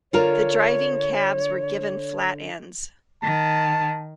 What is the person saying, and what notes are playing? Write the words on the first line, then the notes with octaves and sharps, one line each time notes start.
The driving cabs were given flat ends.
D3 F4 A#4 C#5
D#3 A5